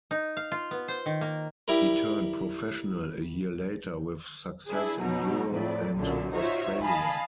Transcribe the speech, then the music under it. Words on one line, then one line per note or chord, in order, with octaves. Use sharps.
He turned professional a year later with success in Europe and Australia.
D#4
F5
F4
B3
C5
D#3
A#3
G3 E4 A#4
D4 E4 G#4
B2 F#3 D#4
F2 A2 D5
B1 F#2 A#2 D3
D#4 F4 F#4 C5 C#5 E5
D#5 F5 G#5 A5 B5